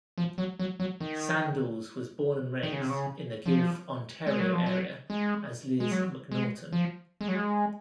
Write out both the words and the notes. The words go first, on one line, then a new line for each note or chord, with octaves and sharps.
Sandals was born and raised in the Guelph, Ontario area as Liz MacNaughton.
F3
F#3
F#3
F#3
D#3
D#3
C#3
C3
C#3
F3
G#3
F#3
F3
F#3
G#3
G#3
F#3
G#3
F3
G#3
F#3
G#3